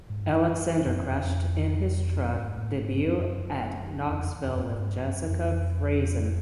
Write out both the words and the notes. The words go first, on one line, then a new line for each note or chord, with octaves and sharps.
Alexander crashed in his truck debut at Knoxville with Jessica Friesen.
G#2
F#2
F#2
F2
F2
F#2
F2
G#2
A2
G#2
G2
F#2
F2
F#2
E2
F2
E2
F2
F#2
G#2
G2
F#2
F2